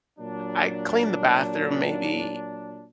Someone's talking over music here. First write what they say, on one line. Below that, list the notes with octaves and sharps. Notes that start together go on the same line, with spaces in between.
I clean the bathroom maybe,
A#2 F#3 D4